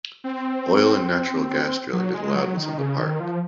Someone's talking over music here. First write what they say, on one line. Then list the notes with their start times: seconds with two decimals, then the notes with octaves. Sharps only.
Oil and natural gas drilling is allowed within the park.
0.24 C4
1.93 F#3
2.14 G#3
2.35 F#3
2.57 D#3
2.78 C#3
2.99 D#3
3.20 F3